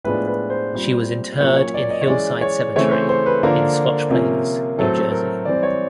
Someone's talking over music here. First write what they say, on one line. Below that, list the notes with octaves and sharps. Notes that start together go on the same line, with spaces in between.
She was interred in Hillside Cemetery in Scotch Plains, New Jersey.
A2 F3 G#3 B3 D4 B4
B4
C5
A#2 G3 C4
A#2 F#3 A#3 C#4 C#5
C#5
D5
D#5
C#5
E3 G#3 C#4 D5
C#5
C#3 E3 A3 C4 C#5
C5
C5
B4
D3 F3 A#3 D4 A#4
C3 F3 A#3 C#4
A2 F#3 A3 C4 A4
A#4
E3 G3 C4 D5
C#5